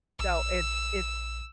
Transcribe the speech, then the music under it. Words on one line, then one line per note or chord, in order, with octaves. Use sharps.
So it's it's
A#1 E6